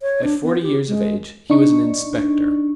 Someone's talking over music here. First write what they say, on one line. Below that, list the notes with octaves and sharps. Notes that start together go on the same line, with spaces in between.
At forty years of age he was an inspector.
C#5
D4
B3
G4
G#3
D4 D#4 C#6